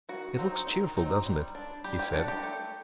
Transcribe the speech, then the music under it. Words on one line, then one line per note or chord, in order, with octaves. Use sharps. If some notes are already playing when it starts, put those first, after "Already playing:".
"It looks cheerful, doesn't it?" he said.
D#3 F#4
F#3 C4 D#4
D#3
F#3 C4 D#4
G3
D4
G3 G4
G4
D4 F#4
G4
A3